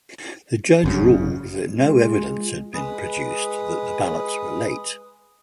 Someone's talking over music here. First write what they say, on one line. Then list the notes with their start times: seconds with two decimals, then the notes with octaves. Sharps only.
The judge ruled that no evidence had been produced that the ballots were late.
0.84 G#1 F#2 C#3
1.73 G#3 F4
2.74 G#3 B4 D#6